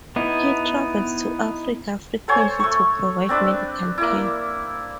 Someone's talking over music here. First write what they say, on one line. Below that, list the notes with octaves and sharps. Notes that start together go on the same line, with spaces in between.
He travels to Africa frequently to provide medical care.
B3 D#4 E4
A4 C5 C#5 G#5
A3 C#6
C4 D4 B4 E5
A#3 E4